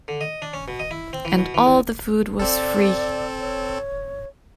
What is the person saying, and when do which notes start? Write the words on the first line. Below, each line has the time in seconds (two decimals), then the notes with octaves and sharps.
And all the food was free.
0.08 D3
0.21 D#5
0.42 D4
0.53 C#4
0.68 B2
0.80 D#5
0.91 E4
1.13 C4
1.25 E3
1.38 B2
1.54 E3
1.66 E2
2.40 C4 A4 D5
3.40 C#5